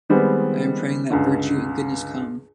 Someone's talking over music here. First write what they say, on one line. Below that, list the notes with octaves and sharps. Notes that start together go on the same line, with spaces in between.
I am praying that virtue and goodness come.
D#3 G3 G#3 B3 C4
C#2 G2 D3